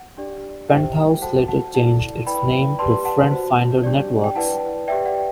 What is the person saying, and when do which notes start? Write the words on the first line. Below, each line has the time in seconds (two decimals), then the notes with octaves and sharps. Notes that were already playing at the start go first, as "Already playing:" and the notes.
Penthouse later changed its name to FriendFinder Networks.
Already playing: F#5
0.17 D4 G4 D5
0.69 E4 G4 C5 E5 G5
1.22 F#4 A4 C5 F#5 A5
1.48 F#5 A5
1.74 E4 A4 D5 F#5 A5
2.27 E4 B4 D5 G5 B5
2.79 G4 B4 D5 A5 C6
3.05 F#5 A5
3.31 F#4 C5
3.83 D4 G4 D5
4.24 G5
4.35 E4 B4 D5 F#5 A5
4.88 G4 B4 D5 E5 G5
5.06 D5 F#5